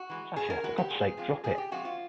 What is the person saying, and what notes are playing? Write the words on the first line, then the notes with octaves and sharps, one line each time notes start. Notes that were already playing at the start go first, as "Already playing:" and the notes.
Sasha, for God's sake, drop it!
Already playing: F#4
E3 G#3
G2 G#4
A#4
E3 G#3 F#4
G4
A#2 G#4
F3 G#3 C4 F4
A#2 G#4
G4
F3 G#3 C4 F4 F#4
F4